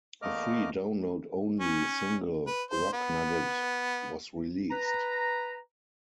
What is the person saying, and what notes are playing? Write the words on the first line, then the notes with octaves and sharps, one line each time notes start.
A free download-only single "Rock Nugget" was released.
E2 A3 A#3 D#5 D6 F6
C#4
B4
C5
B3
B4 A#5